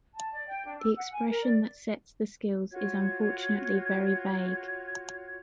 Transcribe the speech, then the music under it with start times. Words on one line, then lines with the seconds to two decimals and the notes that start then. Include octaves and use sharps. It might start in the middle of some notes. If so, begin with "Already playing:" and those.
The expression that sets the skills is unfortunately very vague.
0.14 A5
0.31 D5
0.48 G5
0.65 D4
0.79 E6
0.96 F#5
1.12 G#5
1.29 A#4
1.41 D5
2.72 F4 F#4 C#5 G#6